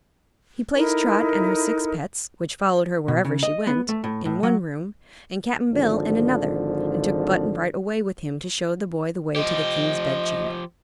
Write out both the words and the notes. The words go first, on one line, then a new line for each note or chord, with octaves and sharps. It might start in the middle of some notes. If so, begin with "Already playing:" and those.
He placed Trot and her six pets--which followed her wherever she went--in one room, and Cap'n Bill in another, and took Button-Bright away with him to show the boy the way to the King's bedchamber.
D#4 E4 A4 A#4
B2
C#3
D#5
B3
A3
A2
A2
F#3
G#1 D3 F3
F3 G4 D#5